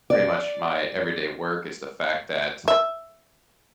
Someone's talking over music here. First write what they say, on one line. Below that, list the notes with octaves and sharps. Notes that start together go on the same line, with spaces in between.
pretty much my everyday work is the fact that,
D5
E5